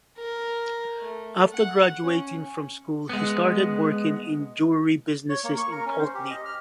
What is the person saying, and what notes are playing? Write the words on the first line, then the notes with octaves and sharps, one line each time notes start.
After graduating from school he started working in jewelry businesses in Poultney.
A#4
A3
F#5
C#4
G#3 B3
C#5
A#3
C#6
A#4
C#4
C5
G4
D#5
F6